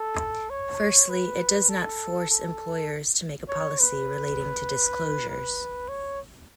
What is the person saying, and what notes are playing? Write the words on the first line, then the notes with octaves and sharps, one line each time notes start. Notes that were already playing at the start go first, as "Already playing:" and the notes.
Firstly, it does not force employers to make a policy relating to disclosures.
Already playing: A4
C#5
B4
A4
A4
C#5
B4
B4
C#5